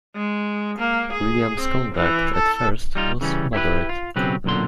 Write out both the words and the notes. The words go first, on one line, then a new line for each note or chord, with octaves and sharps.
William’s conduct at first was moderate.
G#3
A#3
G#4
C4
E3
A4
G3 D#4 F4
C#3 E3 G3 C#4
E4 G4 A4 B4
F4
B1 C#3 F#3 C4 G4 B4
B1 F#2 A#2 D3 C6